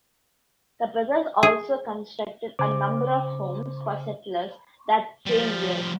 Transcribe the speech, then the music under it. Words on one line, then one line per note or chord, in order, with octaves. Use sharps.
The brothers also constructed a number of homes for settlers that same year.
G#4
C#3 C5 D6
F3 G3